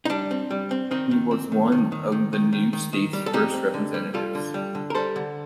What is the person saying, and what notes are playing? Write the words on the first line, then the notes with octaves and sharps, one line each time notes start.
He was one of the new state's first representatives.
D#4
G3 D4
C4
G3
C4
D#3 C4 D#4
D#3
C4
D#3
D#3
D#3
D#3
D#3
D#3
D#3
D#3
G3
A4
C4 D#4 G4
C4
D3
G3
G3 F4 A4
D3
G3
D3
A#4
G3 A4 C5
D3